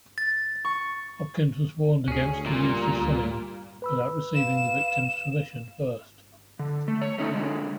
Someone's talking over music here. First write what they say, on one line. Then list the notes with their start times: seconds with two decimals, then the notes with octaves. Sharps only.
Hopkins was warned against the use of "swimming" without receiving the victim's permission first.
0.18 A6
0.65 C#6
2.08 D2 C#4 G#4
2.46 A#2 G3
3.82 B4 B5 E6
4.35 F5 E7
6.59 D3
6.88 A3
7.01 C#5
7.18 A3 C#4 D#4
7.31 D3 G#3